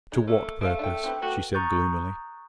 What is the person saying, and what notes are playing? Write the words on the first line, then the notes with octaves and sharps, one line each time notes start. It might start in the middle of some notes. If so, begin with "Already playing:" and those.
"To what purpose?" she said gloomily.
G#3 D#4
A3 A#3
A3 C5 F5
D4 G5
C4 G4 B4
A3 F#4 G4 B4
A#5 C#6 D#6 F#6 G6 A6